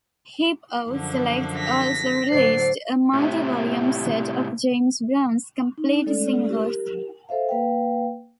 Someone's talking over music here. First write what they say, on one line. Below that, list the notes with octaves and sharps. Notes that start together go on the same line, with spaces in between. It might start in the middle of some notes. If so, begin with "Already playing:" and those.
Hip-O Select also released a multi-volume set of James Brown's complete singles.
F#2 D3 F3
A#6 B6
A2 D3 F#3 C5 D5 C7
A2 C3
D#4
G#3 A3 C#4 A4 D5
G4 A#4
A4 C5 E5 F5
A#3 B4 F5 G5